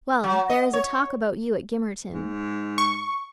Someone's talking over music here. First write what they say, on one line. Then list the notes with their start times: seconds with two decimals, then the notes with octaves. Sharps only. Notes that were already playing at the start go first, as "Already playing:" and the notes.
'Well! there is a talk about you at Gimmerton.
0.24 F#3
0.50 D#5
0.73 C#5
2.13 G#2
2.78 C#6